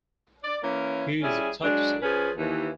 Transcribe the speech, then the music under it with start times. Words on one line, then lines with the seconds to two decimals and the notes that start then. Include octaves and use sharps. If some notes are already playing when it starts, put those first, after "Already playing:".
He is a Tutsi.
0.44 D5
0.64 E3 A#3 C#4
1.22 G3 C#4 E4 G#4
1.64 F#3 G#3 D4
2.02 F3 C#4 G#4 B4
2.37 D#2 E3